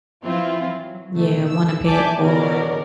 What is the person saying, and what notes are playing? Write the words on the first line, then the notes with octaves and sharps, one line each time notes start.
Yeah, wanna pay it forward.
E3 F3 C4 E4 F4
F#3
B2 D3 A3
E6
D5 E5 G#5 A5 D6 G6
C#2 B2 D3 F#3 A#4 D5